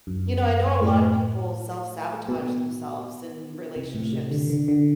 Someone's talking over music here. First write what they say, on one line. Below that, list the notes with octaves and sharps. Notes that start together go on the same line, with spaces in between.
you know, I know a lot of people self-sabotage themselves in relationships
F#2
A2
B2
C3
A2
C3
D3
D3
D3